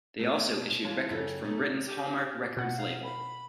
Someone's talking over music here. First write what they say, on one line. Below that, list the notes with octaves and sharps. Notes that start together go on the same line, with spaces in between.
They also issued records from Britain's Hallmark Records label.
A3 B3 G#4 C#5
B2
E3 G#3 F4 C#5 A5
F#2 C#3 C#4 F#4 A4 G5
B2 A3 D#4
G4
B2 F#5
F5
B5